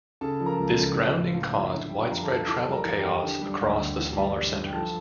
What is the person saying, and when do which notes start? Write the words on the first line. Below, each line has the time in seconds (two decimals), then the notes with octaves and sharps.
This grounding caused widespread travel chaos across the smaller centres.
0.21 C#3 A4 A5
0.40 F3
0.46 A#4 A#5
0.58 C#2
0.72 A4 A5
0.78 C#2
0.96 F3 F4 F5
1.15 A2
1.34 A2 F4 F5
1.54 F3
1.71 D3 E4 E5
1.89 G3 G5
1.97 F4 F5
2.10 F2 A#5
2.22 A4 A5
2.29 F2
2.47 E3 A4 A5
2.67 G3
2.73 A#4 A#5
2.85 E2
2.97 G4 G5
3.04 E2
3.23 D3
3.41 G3
3.61 D2
3.80 D2
3.98 E3
4.17 G3
4.36 G2
4.55 G2
4.64 G5
4.73 F3 A4 A5